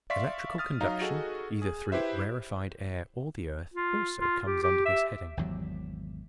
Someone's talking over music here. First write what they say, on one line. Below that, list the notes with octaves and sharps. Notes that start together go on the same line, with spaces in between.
Electrical conduction, either through rarefied air or the earth, also comes under this heading.
D5 E5 F5 C6 C#6 B6
D#6 F6 A6
F#3 D#4 F5 A#5
F#4 G#4 A4 D#5
G#4
E4 G4 B4 C5 E5
F4
F4
G4
G4
E5
G#1 E2 F#3